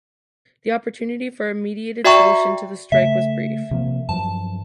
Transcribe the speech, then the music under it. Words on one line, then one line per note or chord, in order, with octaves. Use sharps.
The opportunity for a mediated solution to the strike was brief.
F#4 D5 E5 G5 A#5 C#6
C#3 A3 E5
C3 F3 A#3
G2 F3 F#3 A5